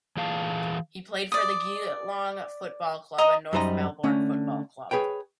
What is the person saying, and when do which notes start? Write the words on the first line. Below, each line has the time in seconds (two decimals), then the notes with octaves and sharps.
He played for the Geelong Football Club and North Melbourne Football Club.
0.17 E3 G#4 F5 A5
1.32 D5 D#6
3.18 D#5 A#5 D#6
3.53 F#2 G3 D#4 C5 D#5 A#5
4.04 D3 A3 C#4
4.91 G#4 B4 C#5 G5